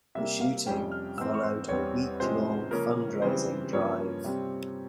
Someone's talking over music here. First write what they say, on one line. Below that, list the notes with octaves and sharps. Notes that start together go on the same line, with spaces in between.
The shooting followed a week-long fundraising drive.
C3 G3 A#3 E5
F5
F2 C3 G3 C#4 G5
F6
G#2 E3 G#3 C4 E6
C#6
C6
E2 E3 G3 C4 C#5
C3 F3 G#3 C#4 C5
C#3 F3 A#3 C#4 A#4
C#3 E3 G3 C4 C5
G2 F3 A#3 C#4 C#5
C3 G3 C4